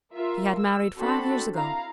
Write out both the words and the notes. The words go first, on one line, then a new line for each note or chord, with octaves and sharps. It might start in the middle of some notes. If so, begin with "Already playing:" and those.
He had married five years ago.
F4 A#4 E5
E6
C4 D4 F#4 A4 A5 B5
E4 F5 A#5